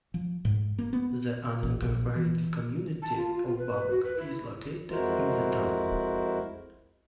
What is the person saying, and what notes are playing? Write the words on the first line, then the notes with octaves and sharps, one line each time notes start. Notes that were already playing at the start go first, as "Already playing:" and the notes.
The uninicorporated community of Babcock is located in the town.
F3
G#2
A#3
B3
A1
A#1
E3
A5
F4
F4
F4
B4
B4
F#4
B4
E4
F2 G#3 E4 F#4 A#4 C5